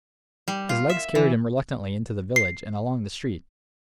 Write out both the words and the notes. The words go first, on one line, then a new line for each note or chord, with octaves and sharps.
His legs carried him reluctantly into the village and along the street.
G3
F4
E5
E3
C7